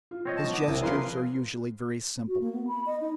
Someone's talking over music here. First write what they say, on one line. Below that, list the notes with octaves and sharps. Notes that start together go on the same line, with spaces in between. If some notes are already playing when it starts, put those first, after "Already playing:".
His gestures are usually very simple.
F4
C4 C#5 D#5
A5
B3 D6 D#6
C2 C#4 E4
E2 F3 C4 G#4 A#4 B4 C6
F#4
A#3
B3
B5
D#5
D#4